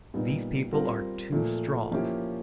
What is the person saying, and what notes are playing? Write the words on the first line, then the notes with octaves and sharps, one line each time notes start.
These people are too strong.
A#2 G3 B3 D#4
G3 C4 F4 A#4
A#2 F3 A3
F3 A#3 C#4 E4 G4